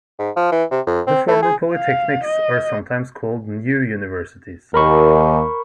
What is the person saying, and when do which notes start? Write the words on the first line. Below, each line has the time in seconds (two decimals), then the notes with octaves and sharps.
The former polytechnics are sometimes called new universities.
0.19 G#2
0.36 F3
0.52 E3
0.71 C3
0.87 F2
1.07 C4
1.28 A3
1.43 G#4
1.72 F5
2.24 D#5
4.74 D#2 A#4 B5 C#6